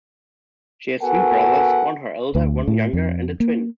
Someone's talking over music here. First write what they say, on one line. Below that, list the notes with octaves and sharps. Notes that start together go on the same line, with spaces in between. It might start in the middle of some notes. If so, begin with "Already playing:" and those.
She has three brothers, one her elder, one younger and a twin.
B3 F#4 A4 A#4 F#5 G#5
D2
A2
F2
A#3